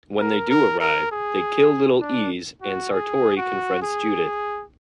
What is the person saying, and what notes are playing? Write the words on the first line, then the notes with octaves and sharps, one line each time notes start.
When they do arrive, they kill Little Ease and Sartori confronts Judith.
A#4
A#4
A#4
G#4
D4
F#4
G#4
F#4
G#4